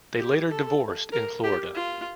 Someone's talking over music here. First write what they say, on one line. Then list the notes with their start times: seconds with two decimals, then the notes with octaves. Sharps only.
They later divorced in Florida.
0.18 G4
0.50 A4
1.12 A#4
1.44 G4
1.75 F4